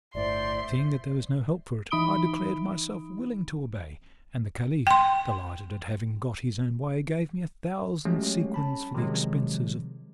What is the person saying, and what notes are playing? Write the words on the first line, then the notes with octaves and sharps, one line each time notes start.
Seeing that there was no help for it, I declared myself willing to obey; and the Caliph, delighted at having got his own way, gave me a thousand sequins for the expenses of the voyage.
G1 A2 C5 D5 E5 C6
E3 D#4 B5 D#6 D7 G7
G5 C6
F#3 G#3 A3 C#4 G4
C#4 A5 B5
C3 D#3 F3 F#3 G#3